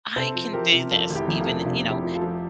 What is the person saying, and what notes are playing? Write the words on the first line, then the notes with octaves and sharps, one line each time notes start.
I can do this, even" you know,
C3 A4 C5
F3
F3 G4 A#4
C3
F2 F4 A4
F1
E4 G4
F1
F4 A4
C3
C3 D4 F4
C3
E4 G4
F3
F4 A4
F3